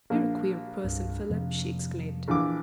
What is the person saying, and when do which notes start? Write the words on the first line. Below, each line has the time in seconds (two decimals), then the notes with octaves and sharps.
"You're a queer person, Philip," she exclaimed.
0.10 A#1 A#3
0.84 C2 G2
1.30 F2 C3 F3
2.28 A#1 E3 D6